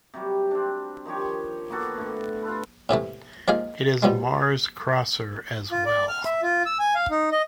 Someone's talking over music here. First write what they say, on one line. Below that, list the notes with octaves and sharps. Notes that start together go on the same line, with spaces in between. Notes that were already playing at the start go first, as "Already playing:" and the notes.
It is a Mars-crosser as well.
C3 F#3 G3
C4 D4
D#3 F3 G4 C#5
A#3 B3 F#4 A4
A2 D3
F4 A4 B4
A2 C3 E3 A3
F3 A#3 D#4 G#4 F5
B2 F3 G3 G#3
F4
D5
F6
E5
F4
E6
G#5
F5
D#4
D#5